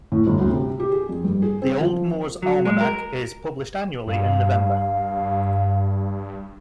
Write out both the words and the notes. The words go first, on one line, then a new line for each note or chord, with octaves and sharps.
The "Old Moore's Almanac" is published annually in November.
A2
G1
D2
C3
G4
G#4
F2
G2
G#4
C4
F3
F#3
G#3
A#4
G2 F5